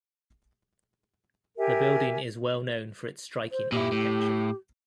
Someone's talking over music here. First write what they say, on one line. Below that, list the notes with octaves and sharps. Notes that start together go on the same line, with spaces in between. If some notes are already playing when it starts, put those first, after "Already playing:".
The building is well known for its striking architecture.
G4 A#4 E5 G#5
C5
A#2 E4 G4
A2